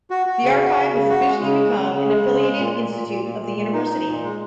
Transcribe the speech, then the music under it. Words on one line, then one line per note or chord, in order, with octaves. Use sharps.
The archive has officially become an affiliated institute of the University.
F#4
F#4
C#3
F#4
C#3
C#3
F#4
G#3
C#3
G#3
C#3
C#3
G#3
C#3
G#3
A#2
A#2
A#2
A#2
A#2
A#2
A#2
D#4
D#4
A#2
G#3